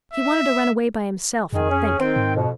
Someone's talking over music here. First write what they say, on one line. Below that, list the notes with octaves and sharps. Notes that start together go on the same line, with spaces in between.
He wanted to run away by himself and think.
E5
F2 D#3 G#4
C#4
D#3 C4 G5
G#2
F2 B2